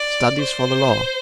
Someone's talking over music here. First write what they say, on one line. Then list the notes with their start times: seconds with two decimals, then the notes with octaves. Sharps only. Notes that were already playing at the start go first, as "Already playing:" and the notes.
Studies for the law.
Already playing: D5
0.41 C5